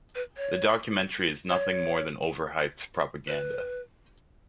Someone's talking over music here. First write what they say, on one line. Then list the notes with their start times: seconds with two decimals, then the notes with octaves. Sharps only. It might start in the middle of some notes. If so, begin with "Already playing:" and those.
The documentary is nothing more than overhyped propaganda.
0.15 B4
0.37 C#5
1.49 C#5
3.28 B4